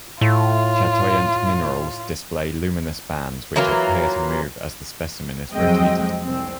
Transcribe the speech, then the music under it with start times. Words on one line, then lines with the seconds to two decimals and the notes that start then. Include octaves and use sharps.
Chatoyant minerals display luminous bands, which appear to move as the specimen is rotated.
0.21 A2 F4
3.56 E3 F#3 A#3 F4
5.53 F2 F#3 G#3 C4 D#5 G5
6.24 C2 C4